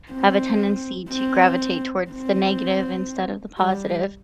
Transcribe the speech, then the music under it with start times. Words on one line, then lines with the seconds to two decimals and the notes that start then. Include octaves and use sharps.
have a tendency to gravitate towards the negative, instead of the positive,
0.12 C4
1.10 C4
2.10 C4
3.59 G3